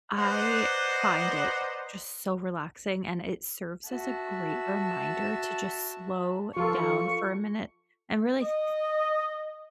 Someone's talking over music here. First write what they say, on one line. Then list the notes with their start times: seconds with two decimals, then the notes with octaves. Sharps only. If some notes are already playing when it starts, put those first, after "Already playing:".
I find it just so relaxing, and it serves as a great reminder to just slow down for a minute and really th th
0.18 B4 C5 D5 D#5 F#5 A#5
3.88 F#4 E5 A5
6.56 F3 F4 A4 C#6
8.42 D#5